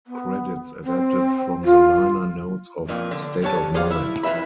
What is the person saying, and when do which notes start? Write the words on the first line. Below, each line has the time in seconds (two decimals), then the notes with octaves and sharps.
Credits adapted from the liner notes of "State of Mind".
0.07 B3
0.84 C4
1.65 F4
2.88 F2 A#2
3.11 D3
3.42 G2 D3 C#5 A5
3.74 G#4 C5 D5 F5 F#5
3.91 E4 E5
4.23 F2 E3 F3 E5 B5